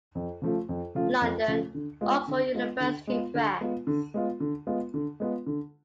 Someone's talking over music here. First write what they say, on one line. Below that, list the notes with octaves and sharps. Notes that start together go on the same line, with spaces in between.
London: Oxford University Press.
F2
C#3 F3 A3 F4
F2
C#3 F3 A3 F4
F2
C#3 F3 A3 F4
D3
G#3 B3 F4
D3
G#3 B3 F4
D3
G#3 B3 F4
D3
G#3 B3 F4
D3
G#3 B3 F4
D3
G#3 B3 F4
D3
G#3 B3 F4
D3